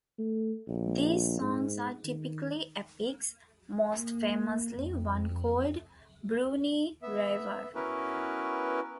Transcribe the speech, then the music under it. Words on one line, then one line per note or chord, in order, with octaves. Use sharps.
These songs are typically epics, most famously one called "Burunee Raivaru".
A3
A#1
G#2
D#3
A#3
F2
B3 E5
B3 C#4 E4 F#4 A#4 B4